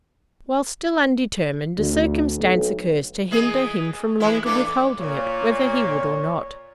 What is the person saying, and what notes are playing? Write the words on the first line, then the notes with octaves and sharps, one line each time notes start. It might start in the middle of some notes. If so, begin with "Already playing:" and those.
While still undetermined, a circumstance occurs to hinder him from longer withholding it, whether he would or not.
D2
B1
E3 G#4 D#5
E3 G#3 E4
G2 E3 A3 D6
A#2 C#5